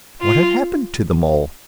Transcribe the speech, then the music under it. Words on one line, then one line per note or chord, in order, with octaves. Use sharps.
What had happened to them all?
F4